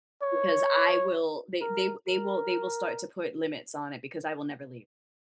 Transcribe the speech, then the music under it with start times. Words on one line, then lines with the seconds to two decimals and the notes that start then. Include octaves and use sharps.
Because I will they they w they will they will start to put limits on it because I will never leave.
0.22 C#5
1.61 A#4
2.08 A#4